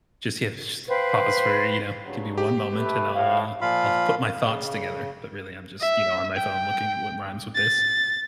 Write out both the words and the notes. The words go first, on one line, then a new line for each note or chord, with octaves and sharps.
Just yes, p pause for, you know "Give me one moment, and I'll, uh I'll put my thoughts together." But, really, I'm just, you know, on my phone looking at what rhymes with this.
B4 C5 F5 G5
G2 C#3 F#3
G4
A3 B4
A2 F5
A#2 F3 F4 F5 B5
C#3
E5
G5
A6